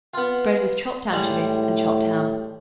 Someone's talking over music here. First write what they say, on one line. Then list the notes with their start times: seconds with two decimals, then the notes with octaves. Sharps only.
Spread with chopped anchovies and chopped ham.
0.14 B3 F4
1.12 A2 G3 G#3